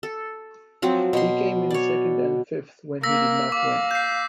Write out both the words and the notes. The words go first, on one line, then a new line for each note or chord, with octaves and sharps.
He came in second and fifth when he did not win.
A4
F3 F#3 C4
B2 C6
C#5 D5
A#3 E6 A#6 B6
F5 D6
G6 C7